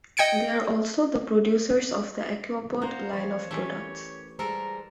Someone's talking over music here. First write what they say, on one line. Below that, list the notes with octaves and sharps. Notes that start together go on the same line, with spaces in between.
They are also the producers of the Aquapod line of products.
D#5 G5 G#6 C#7 D7
A#3 C5 F#5 A#5
E3 F3 C#4 A#4 C5 C#5
E3 A3 G4
G3 G#3 A4 A#4 C5 A#5